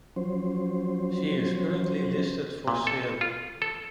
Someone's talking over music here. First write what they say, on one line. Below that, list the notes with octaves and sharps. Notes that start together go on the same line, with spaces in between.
She is currently listed for sale.
F3 F#3 C#4 C5
A#2
A4
F4
A4